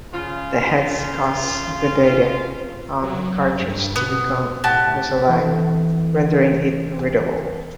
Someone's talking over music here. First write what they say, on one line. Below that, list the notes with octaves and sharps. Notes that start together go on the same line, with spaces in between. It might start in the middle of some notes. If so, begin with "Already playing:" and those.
The heads caused the data on the cartridge to become misaligned, rendering it unreadable.
C#3 F4
F#3
G2
B2 B3
A2 F#4 G4 A5
E3 A3 C4